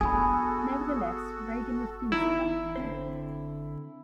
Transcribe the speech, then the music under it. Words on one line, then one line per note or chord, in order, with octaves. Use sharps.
Nevertheless, Reagan refused to back down.
B3 D4 F#4 G#4 A4 G#5 B5
E2 D#4 E4 A#5
D3 C4 C5